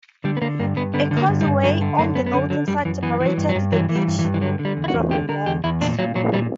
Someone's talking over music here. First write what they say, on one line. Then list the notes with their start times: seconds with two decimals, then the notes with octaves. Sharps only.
A causeway on the northern side separated the ditch from the moat.
0.24 D3 G3
0.37 B3
0.41 D3 A#3
0.60 G2 A#3
0.77 G2 B3
0.94 D3 B3
1.11 D3
1.17 A#3
1.29 G2
1.41 G3
1.46 G2
1.63 D3 F#3
1.81 D3
1.98 F#2 A#3
2.15 F#2 B3
2.27 B3
2.33 D3 C#4
2.50 D3 F#3
2.68 F#2 G3
2.85 F#2 E3
3.03 E3 B3
3.21 E3 F#3
3.38 G2
3.49 F#3
3.55 G2
3.72 E3 F#3
3.89 E3
3.96 G3
4.07 G2
4.19 E3
4.24 G2
4.34 E3
4.41 D3 F#3
4.59 D3
4.65 G3
4.77 E2
4.84 E4
4.88 F#4
4.94 E2
5.11 D3 G4
5.29 D3 A#4
5.46 E2 G4
5.64 E2 E4
5.81 A#2 D4
5.99 A#2 F#3
6.15 A#2 F#3
6.33 A#2 G3